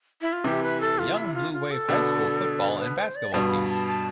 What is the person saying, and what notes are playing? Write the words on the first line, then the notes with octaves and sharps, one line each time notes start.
Yonge Blue Wave high school football and basketball teams.
E4
F4
C3 E3 G4
B4
A4
F4
E4
F4
F4
A4
B2 D3
B4
C5
D5
G2 B2 A5
F5
B5
A5
A5